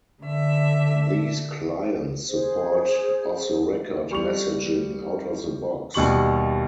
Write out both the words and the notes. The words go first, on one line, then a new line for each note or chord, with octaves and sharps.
These clients support Off-the-Record Messaging out of the box.
D3 E5
G#4 C5
G3 C#6 F7
D#2 B2 G3 C#6 F#7